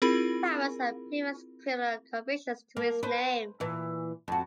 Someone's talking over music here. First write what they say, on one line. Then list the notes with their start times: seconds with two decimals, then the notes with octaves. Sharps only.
Thomas had previous criminal convictions to his name.
0.02 C4 E4 F4 G#4 A#4 B5
2.77 A#3
3.03 B4 C5
3.60 A#2 E3
4.28 F2 F#4